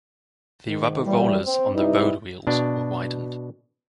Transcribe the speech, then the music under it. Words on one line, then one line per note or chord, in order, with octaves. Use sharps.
The rubber rollers on the roadwheels were widened.
G#2 D#3
A2 E3 G3
C4
C3 G3 D#4 E4 B4
B2 D4